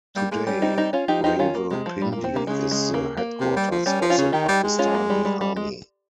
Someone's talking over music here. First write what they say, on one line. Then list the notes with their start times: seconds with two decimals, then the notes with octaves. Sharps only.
Today Rawalpindi is the headquarters of the Pakistani Army.
0.16 G3 A#3
0.31 G#3 A#3
0.46 G3 C#4
0.62 C4 D#4
0.78 C4 D#4
0.93 C#4 F4
1.08 F3 D#4 G4
1.24 F3 D#4 G4
1.39 D#3 C#4 F4
1.55 A#3
1.71 C3 G#3
1.86 F3
2.01 G2 G3
2.12 A#2 A#3
2.24 C4
2.32 C3 A#3
2.47 C#3 G#3
2.71 G#3
2.94 A#3
3.17 A#3
3.40 C3
3.56 G3
3.71 F3
3.86 G3 C#4
4.02 F3
4.10 C#4 F4
4.18 C#3
4.32 D#3 D#4 G4
4.48 G3
4.64 G#3
4.79 C#4 F4
4.94 A#3
5.10 G3
5.25 G3
5.41 G3
5.56 G#3